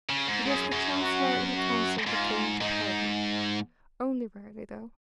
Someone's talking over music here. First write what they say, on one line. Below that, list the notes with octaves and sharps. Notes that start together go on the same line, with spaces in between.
It was the Chancellor who counselled the king to pardon; only rarely, though.
C#3
G#2
G#2 G#4
F#2
F#2
F#4
F#4
G#2 F4
G#2 D#4